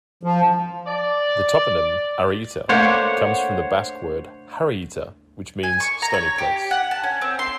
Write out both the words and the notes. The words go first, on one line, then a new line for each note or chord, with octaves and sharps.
The toponym "Arrieta" comes from the Basque word "harrieta", which means "stony place".
F3
D5
A3 A#3 D4 C5 C#5 F#5
G#5
C#6
A#5
C#5
G4
F#5
A5
C#4
C4
C6